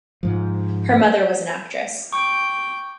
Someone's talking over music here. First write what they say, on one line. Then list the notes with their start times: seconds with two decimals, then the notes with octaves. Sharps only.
Her mother was an actress.
0.23 G#2 F3
2.13 G5 C#6 D6